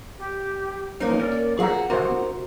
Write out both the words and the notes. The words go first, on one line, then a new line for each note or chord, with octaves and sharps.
What, art dumb?
G4
A#3 C#4 D#4 C5
A#4 D5
F4 F#4 G#4 F#5 A#5
C3 F#4 A#4 C5